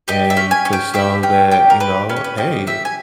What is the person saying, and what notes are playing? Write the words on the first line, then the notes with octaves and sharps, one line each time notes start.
and to show that, you know, "Hey,
G4 D#5
E5
C#4
G#5
C#4
G5
G4 E5
C#4 G5
G4 G5
A#4
G4 B4
C#4 B4
C#5
B4
G4 D#5
G4 E5
G#5